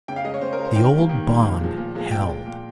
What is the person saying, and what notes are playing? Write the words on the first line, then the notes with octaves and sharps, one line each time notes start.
The old bond held.
C#3 G5
F5
G#3 D#5
C#5
C#3 C5
A#4
G#3
C5
D#3 G5
G3 A#3
D#3
G3 A#3
A#2
F3 G#3
A#2
F3 G#3
A#2 G5
G#3
A#2